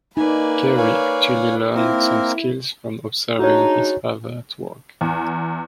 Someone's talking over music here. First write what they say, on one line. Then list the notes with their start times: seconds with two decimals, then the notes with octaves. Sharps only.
Gerry actually learned some skills from observing his father at work.
0.17 A#3 D#4 B4 D5 G#5
0.77 C#5 F5 G#5
1.74 A#3 C4 E4 A#4
3.39 G#3 D4 D#4 F#4 C#5
5.01 E2